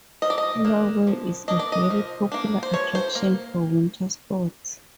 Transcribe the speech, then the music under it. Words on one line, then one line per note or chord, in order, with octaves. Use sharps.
Norway is a very popular attraction for winter sports.
F3 D#5
D5
D#5
A#3 D4
F3
A#3 D4 D#5
D5
D#5
F3
A#3 D4
C5
F3 C#5
C5
A#3